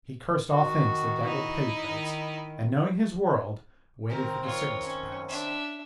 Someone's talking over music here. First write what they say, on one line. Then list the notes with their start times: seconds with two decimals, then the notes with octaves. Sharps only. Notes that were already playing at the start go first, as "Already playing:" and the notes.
He cursed all things that daggled petticoats, and, knowing his world, waited for the sickness to pass.
0.51 D#3 F#4
1.20 D#4 E4
1.85 D#3
4.10 C3 D#3 A#4
4.43 F4 C#5
4.84 C#4
5.29 D4 E5